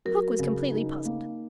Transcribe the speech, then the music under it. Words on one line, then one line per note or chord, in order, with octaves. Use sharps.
Hook was completely puzzled.
F#3 A#4
C#3
D#4
A#3